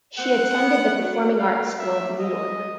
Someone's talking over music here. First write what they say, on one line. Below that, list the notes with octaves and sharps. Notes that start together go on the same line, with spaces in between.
She attended the Performing Arts School Of New York.
C4 F#5
B3
F#3
F#3 F5
G3 E5
G#3 D#5